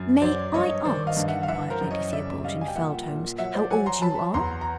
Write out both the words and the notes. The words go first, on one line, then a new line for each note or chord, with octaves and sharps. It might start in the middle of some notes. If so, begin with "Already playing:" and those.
"May I ask," inquired Lady Theobald, in fell tones, "how old you are?"
Already playing: F#2
F#3 C5 D5
G2 C#5 D#5
D#3 C5 D5
D#5 F5
G2
E5 F#5
F5
E3 E5 F#5
A#4 C5
F#2
C#5 D#5
C#3 D5 E5
G3 D#5 F5
G#5
G5
A#2 E5 F#5
A#2
F#3 E5 F#5
C5 D5
F#3 F#5 G#5
A#5 C6
F#3 A5 B5
E2 A#5 C6
A#5